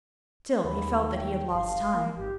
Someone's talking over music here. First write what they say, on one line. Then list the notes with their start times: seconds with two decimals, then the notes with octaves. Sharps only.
Still, he felt that he had lost time.
0.65 D#2 B5
1.15 G5
1.52 G1 F5
1.94 A#3
2.17 G#1 G4